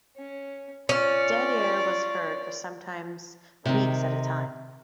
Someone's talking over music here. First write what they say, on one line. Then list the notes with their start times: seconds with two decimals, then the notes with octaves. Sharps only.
Dead air was heard for sometimes weeks at a time.
0.16 C#4
0.89 C#4 F4 D5
3.66 C3 D#3